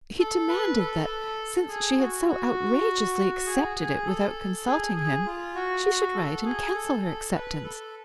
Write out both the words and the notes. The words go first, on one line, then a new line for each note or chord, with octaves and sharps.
He demanded that, since she had so outrageously accepted it without consulting him, she should write and cancel her acceptance.
A4
B4
A4
G#4
F#4
F#4
G#4
G#4
A4
G#4
G#4
F4
F#4
F#4
A4
G#4
A4
A4
B4
A4